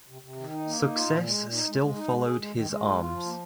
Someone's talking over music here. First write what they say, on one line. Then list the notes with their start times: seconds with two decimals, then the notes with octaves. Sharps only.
Success still followed his arms.
0.09 C3
0.22 C3
0.36 D#3
0.51 D#4
0.66 A#3
0.80 D#4
0.95 F4
1.08 A#2
1.24 G#3
1.38 A#2
1.52 D#4
1.67 G#3
1.81 G#3
1.95 D#4
2.09 G#3
2.24 G#4
2.38 G#3
2.53 D#3
2.67 G#3
2.82 F4
2.97 F4
3.10 F3
3.25 A#3